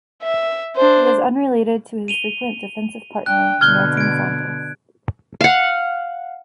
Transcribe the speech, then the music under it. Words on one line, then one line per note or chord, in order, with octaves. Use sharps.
He was unrelated to his frequent defensive partner Nilton Santos.
E5
D4 C5
D#7 F7 G7
D4 G5 F#6
B2 D3 F6 F#6 G#6 G7
G#6 D7
F5 F#5